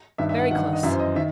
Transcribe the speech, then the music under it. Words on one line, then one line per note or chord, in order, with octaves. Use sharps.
Very close!
G2 D#3 E5
E5
F#5
G2 D#3 F#5
D#5
F#2 E3 E5
C5
D#5
D#3 E5